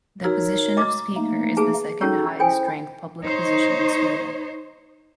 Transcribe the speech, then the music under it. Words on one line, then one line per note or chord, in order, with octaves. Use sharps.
The position of speaker is the second highest ranked public position in Sweden.
D#4 F#4 A#4 C#5 E6
D#5 A#5 D6
A3 A#3 D#4
G#4 B4 A5
C#4 D#4 F#4 A4 C#5
E4 A4 C5 G5 G#5
D#4 C5 C#5